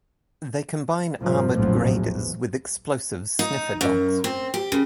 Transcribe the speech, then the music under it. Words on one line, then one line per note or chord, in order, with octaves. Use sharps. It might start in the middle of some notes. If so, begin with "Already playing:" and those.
They combine armoured graders with explosives sniffer dogs.
G2 A#2 F3
A#1 F2 A2 F3 F#3
E2
D#4
F#2
C4
G4
C#3